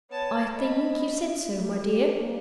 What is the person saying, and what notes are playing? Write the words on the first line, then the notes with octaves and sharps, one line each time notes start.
"I think you said so, my dear."
B3 C#5 A5
D#5 B5
A3
G4
A#3